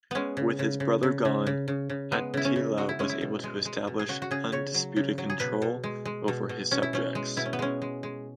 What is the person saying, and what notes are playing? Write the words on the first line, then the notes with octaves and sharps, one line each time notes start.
With his brother gone, Attila was able to establish undisputed control over his subjects.
G#3 B3 C#4
C#3
C#3
C#3
C#3
C#3
C#3
C#3
C#3
G#3 B3
C#3 E4
C#4
C#3
G#3 F#4
E4
G#3 C#4
E4
B2
G#3
G#3
B2
G#4
C#3 F#4
F#4
C#3 G#4
C#3 C#5
F#3
C#3
F#3
G#4
B2 B4
B2
G#3
G#3
B2
B2
B2 C#4
E4
B2 C#4
G#3
B2 E4
C#4
B3
G#3 C#4
G#3
G#3